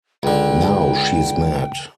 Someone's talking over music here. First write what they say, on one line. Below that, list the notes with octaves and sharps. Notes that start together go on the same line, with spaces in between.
Now she's mad.
C#2 D3 G5